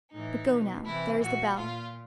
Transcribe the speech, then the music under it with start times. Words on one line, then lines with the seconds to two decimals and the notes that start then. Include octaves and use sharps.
But go now; there is the bell.
0.13 A2 E3 D#4
0.49 B2
0.86 C3 E3 E4
1.22 A#2 F#4
1.59 A#2 F4